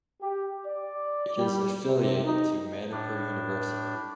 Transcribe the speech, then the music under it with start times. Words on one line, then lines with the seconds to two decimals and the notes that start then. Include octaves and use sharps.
It is affiliated to Manipur University.
0.21 G4
0.65 D5
1.37 G3
1.87 C3
2.24 D#4
2.92 A2 D4